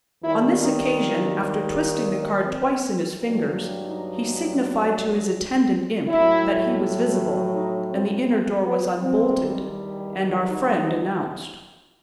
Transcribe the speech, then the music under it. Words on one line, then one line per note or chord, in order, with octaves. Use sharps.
On this occasion, after twisting the card twice in his fingers, he signified to his attendant imp that he was visible; and the inner door was unbolted, and our friend announced.
D#2 D#3 G3 E4
D#4
C4
G2 F#3
D#4
A2 F#3 E4
D#4
C4
C4
B3
E2 D#3 G3 C4
D#4